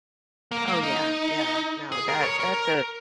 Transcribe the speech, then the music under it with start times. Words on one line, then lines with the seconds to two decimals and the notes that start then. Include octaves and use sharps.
Oh, yeah, yeah, no. That that's a
0.51 A#3
0.68 A#3
0.83 D#4
1.92 G#4
2.08 A#4
2.23 C#5
2.40 A#4